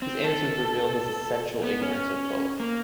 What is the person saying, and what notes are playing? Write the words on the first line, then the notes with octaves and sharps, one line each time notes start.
His answers reveal his essential ignorance of both.
C4
A4
B3
C#4
A#3